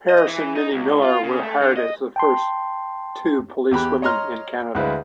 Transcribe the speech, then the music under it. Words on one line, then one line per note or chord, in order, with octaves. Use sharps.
Harris and Minnie Miller were hired as the first two policewomen in Canada.
D#5
E3
D#4
C#2
F4
C#3
A3
D3
D#5
G5 A5 C6
E2 G4 B5 F#6
C#5 D#5 A#5 C6 F6
D2 G#3 E4 B4 D#5 F5